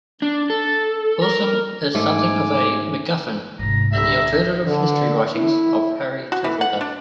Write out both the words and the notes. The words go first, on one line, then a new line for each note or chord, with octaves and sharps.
Wilson is something of a macguffin in the alternative history writings of Harry Turtledove.
D4
A4
A#4
G#2 A3 G#5 D6
G#2 C3 A#5
C2 A#2 D3 G3 E5 A#5
D3
E4
F#4
E3
F#5
D4